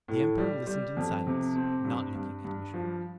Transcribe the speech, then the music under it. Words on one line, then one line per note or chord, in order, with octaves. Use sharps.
The Emperor listened in silence, not looking at Michaud.
A2
G3
G3
F2
C3
C4
G2
G2
G2
F3